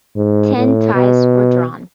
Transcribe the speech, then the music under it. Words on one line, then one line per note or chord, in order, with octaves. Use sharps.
Ten ties were drawn.
G#2
A2
B2